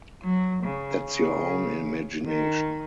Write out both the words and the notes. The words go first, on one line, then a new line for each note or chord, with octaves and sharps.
That’s your own imagination.
F#3
C#3
C#3
D#3